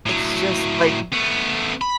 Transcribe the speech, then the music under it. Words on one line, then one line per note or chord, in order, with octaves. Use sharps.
It's just like
A2 F#3
A3 B3
B5